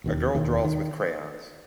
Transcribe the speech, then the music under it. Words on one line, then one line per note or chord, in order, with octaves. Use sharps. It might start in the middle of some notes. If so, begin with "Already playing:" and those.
A girl draws with crayons.
E1 D#2 D#3
E1 D#2 D#3
D#3